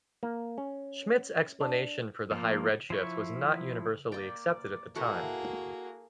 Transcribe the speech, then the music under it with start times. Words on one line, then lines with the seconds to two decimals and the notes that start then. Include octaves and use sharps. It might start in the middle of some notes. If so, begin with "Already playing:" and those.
Schmidt's explanation for the high redshift was not universally accepted at the time.
0.23 A#3
0.58 C#4
1.61 D4
2.31 F3 A#3
2.90 F3 E4 C#6
4.12 A#3 D5 G5
4.95 A#3 E4 F#4 G#4 A4 F#5